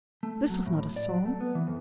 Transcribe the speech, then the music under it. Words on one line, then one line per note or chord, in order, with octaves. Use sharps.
This was not a song.
A3
F#3
A2
D5
F#3
A3
B3
E3
F2